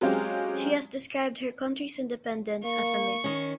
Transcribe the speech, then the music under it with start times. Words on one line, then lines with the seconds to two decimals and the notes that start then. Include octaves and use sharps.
She has described her country's independence as a "myth".
0.01 F#3 G#3 C4 C#4 F4 G4
2.64 A#3 C#6
3.24 D#3 C#4